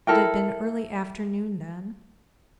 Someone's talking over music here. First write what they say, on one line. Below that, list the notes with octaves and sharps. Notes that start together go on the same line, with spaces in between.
It had been early afternoon then.
E4 A4 A#4 G5